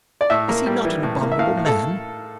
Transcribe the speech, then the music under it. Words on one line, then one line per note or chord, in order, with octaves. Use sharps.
Is he not an abominable man?
D5
A2 E5
A#3
G3
E3
A2
A#3
E5
A2 F5
A2
A4